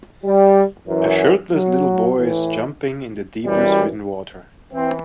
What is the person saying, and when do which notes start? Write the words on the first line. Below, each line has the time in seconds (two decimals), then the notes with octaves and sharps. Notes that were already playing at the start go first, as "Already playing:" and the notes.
A shirtless little boy is jumping in the debris ridden water.
0.24 G3
0.88 F#2 E3
1.53 F#3
2.17 A2 E3
3.44 F#2 E3 G3
4.73 E3 C4